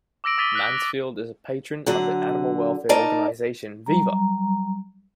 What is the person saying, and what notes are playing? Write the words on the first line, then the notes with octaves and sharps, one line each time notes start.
Mansfield is a patron of the animal welfare organisation Viva!
D6 E6 A#6 D7 F#7
D6 D#6 A6 B6 D#7 G7
F#6 B6
D3 F#3 F#5
D#4 A#4 D5 A5
F#3 G3 A#5